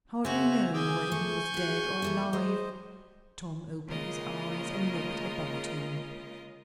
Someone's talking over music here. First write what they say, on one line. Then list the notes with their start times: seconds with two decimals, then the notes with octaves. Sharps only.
Hardly knowing whether he was dead or alive, Tom opened his eyes and looked about him.
0.25 C#3 C#4 F#4 C5 E5 G#5 F7
0.74 G#4 G#5 D6 E6 G6
1.12 G#3 A3 C#6
1.54 F#4 G#4
2.02 E3 A3 A#3
2.33 G#3 C5 D#5
3.88 C#3 G#3 A#3 F4 A#4 D#5